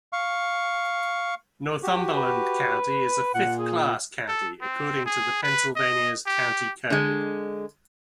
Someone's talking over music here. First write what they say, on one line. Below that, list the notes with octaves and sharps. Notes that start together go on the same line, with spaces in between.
Northumberland County is a fifth class county according to the Pennsylvania's County Code.
F5 C#6
F#4 G4
B4
A#2 F#5
G#4
A4
C4
G#4
B4
D#5
G4
D3 G#3